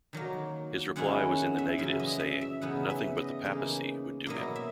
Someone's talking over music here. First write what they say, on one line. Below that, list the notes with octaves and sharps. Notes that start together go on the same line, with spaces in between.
His reply was in the negative saying 'nothing but the papacy' would do him.
D#3 F#3 A#3
F#2 D#3 G#3 C#4 E4 F#5
F#5
E5
F#2 C#3 E3 E5
D#5
E5
E5
C#3 E3 B3 D#4 F#5
E5
D#5
C#3 E3 A#3 D#4
B2 F#3 A#3 E4 D#5
E5